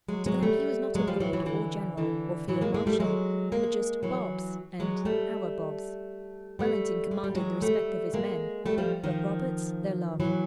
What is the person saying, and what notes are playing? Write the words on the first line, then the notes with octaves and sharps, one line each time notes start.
To them he was not a Lord, or General, or Field Marshal, but just "Bobs" and "Our Bobs." Wellington commanded the respect of his men, but Roberts their love.
F#3 G#3
F#3 G#3
G3 A3
F#3 G#3
F3 G3
E3 F#3
E3 F#3
D3 E3
D3 E3
E3 F#3
G#3 A#3
G#3 A#3
G3 A3
F#3 G#3
G#3 A#3
E3 F#3
F#3 G#3
G3 A3
G3 A3
G#3
G3
F#3 G#3
G3 A3
G#3 A#3
G3 A3
F3 G3
D#3 F3
E3 F#3